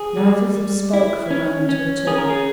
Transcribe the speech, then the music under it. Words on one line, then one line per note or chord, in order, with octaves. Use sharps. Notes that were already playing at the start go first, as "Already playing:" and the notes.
Neither of them spoke for a moment or two.
Already playing: G#4
G3
G3
E4
C#4
C#4
C#4 G#4
A#4
G#4